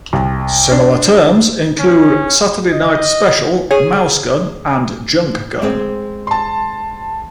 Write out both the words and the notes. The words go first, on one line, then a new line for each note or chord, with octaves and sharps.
Similar terms include Saturday night special, mousegun, and junk gun.
C2
D4
C#4
D#5
G#4 C#5
G#3 C4
A5 C6